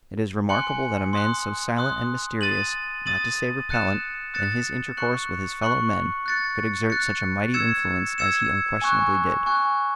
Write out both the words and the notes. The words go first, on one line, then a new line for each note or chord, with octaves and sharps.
It is remarkable that a man so silent and mysterious, not to say repellent, in his intercourse with his fellow-men could exert such a mighty influence as he unquestionably did.
G#5 C6 F#6 C#7 F#7
C6 D#6 F#6
C6 D#6 F#6
D#6 A6 D#7 F#7
D#6 A6 D#7 F#7
D#6 F#6 A6 C#7 E7
D#6 F#6 A6 C#7 E7
C#6 F#6 C#7 F#7
C#6 F#6 C#7 F#7
F#6 A6 C#7
F#6 A6 C#7
E6 G#6 C#7 E7
E6 G#6 C#7 E7
G#5 C#6 F#6
G#5 C#6 F#6